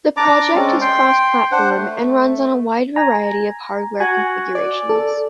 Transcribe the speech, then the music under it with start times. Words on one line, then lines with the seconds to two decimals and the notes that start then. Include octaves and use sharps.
The project is cross-platform, and runs on a wide variety of hardware configurations.
0.17 D4 D5 A#5 D6
0.55 G#3 C4 C#4 D5
0.81 G5 C6
1.52 D4 C5 F#5
1.77 A3
2.96 G#5 A#5
4.00 F#4 G#5
4.55 D5
4.89 A4